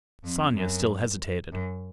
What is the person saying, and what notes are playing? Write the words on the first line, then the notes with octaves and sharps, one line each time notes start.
Sonia still hesitated.
F2
F#2
F#2